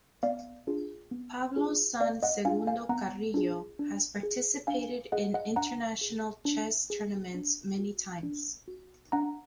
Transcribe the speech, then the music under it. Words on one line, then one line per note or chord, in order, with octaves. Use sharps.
Pablo San Segundo Carrillo has participated in international chess tournaments many times.
B3 D5 F5
D4 F4 G#4
B3
D4 F4 G#4
B3 D5 F5
D#5 F#5
D4 F4 G#4 F5 G#5
F5 G#5
B3 F#5 A#5
D4 F4 G#4
D4
G#4
D4 F5 G#5
G#4 D#5 F#5
D#5 F#5
D4 F#5 A#5
G#4
D4
G#4
D4
F#4
D4
F#4
D4 F#5 A#5